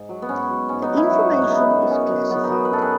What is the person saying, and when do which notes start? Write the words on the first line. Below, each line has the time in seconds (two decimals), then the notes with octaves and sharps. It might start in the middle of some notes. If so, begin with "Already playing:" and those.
That information is classified.
Already playing: G#2
0.09 F#3
0.22 B3
0.29 G#2 C#4
0.50 F#3
0.69 G#2 C#4
0.82 B3 D#4
0.90 F#3
0.96 C#4 E4
1.10 F#3 D#4 F#4
1.30 G#2 F#4
1.42 E4
1.50 C#3 B3 D#4
1.70 F#2
1.91 F#3 C#4
2.10 F#3
2.31 F#2 B3
2.44 B3 D#4
2.51 F#3
2.65 B4
2.71 F#2 A4
2.82 G#4 B4